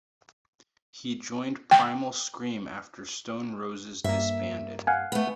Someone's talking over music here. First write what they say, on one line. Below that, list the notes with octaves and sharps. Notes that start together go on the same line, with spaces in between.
He joined Primal Scream after Stone Roses disbanded.
G5
G2 A#3 E5
F5 F#5 G#5
A3 B3